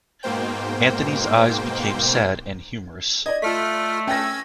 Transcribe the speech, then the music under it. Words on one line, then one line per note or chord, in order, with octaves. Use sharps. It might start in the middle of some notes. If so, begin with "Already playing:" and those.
Anthony's eyes became sad and humorous.
G#2 B2 A#3 C5 G5
D5 D#5 G#6
A3 F4 F6 B6
C#4 G5 E6 G#6 A#6